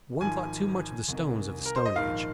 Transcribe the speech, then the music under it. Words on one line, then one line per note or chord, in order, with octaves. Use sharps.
One thought too much of the stones of the Stone Age.
G#1 G#2 F3 G#5
C2 C3 D#3
A#4
C5
D#5
A#1 G#2 D#3 F5